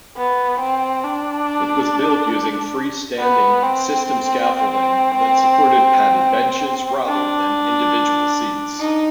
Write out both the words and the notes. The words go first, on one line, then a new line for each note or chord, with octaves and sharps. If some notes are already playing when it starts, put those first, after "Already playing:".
It was built using free-standing system-scaffolding that supported padded benches rather than individual seats.
B3
C4
D4
B3
C4
D4
D#4